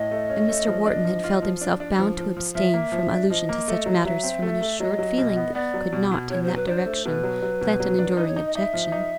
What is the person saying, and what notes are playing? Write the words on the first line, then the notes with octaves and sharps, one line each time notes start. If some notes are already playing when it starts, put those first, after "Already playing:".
And Mr. Wharton had felt himself bound to abstain from allusion to such matters from an assured feeling that he could not in that direction plant an enduring objection.
Already playing: A2 D#5
A3
C#4
A3
F3
D4
F3
F4
F3
D4
D4
F3
F3
F3
F3 E5
A#3
F3
D4
F3 D#5
A#3
A3
F#3
F#3 E5
C4
A3
A3
F#3 D#5
F#3
B2
B3
B3 D5
F#3
B2
B2
B2 C#5
C5
F#3
B4
D4 C5
A3
B2 B4
F#3
F#3
B2
F#3
D4
D#4 B4
C#5
D#4
D#5
D#4 E5
F3
D#4